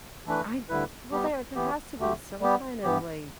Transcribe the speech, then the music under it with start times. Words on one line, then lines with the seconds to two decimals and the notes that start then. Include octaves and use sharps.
I well there there has to be some kind of, like
0.26 E3 A3 D4 B4
0.69 D2 D3 G3 E4 B4
1.12 G3 B3 G4
1.55 E3 B3 G4
1.97 D2 D3 A3 G4
2.40 G3 B3 G4
2.83 G2 E3 B3 G4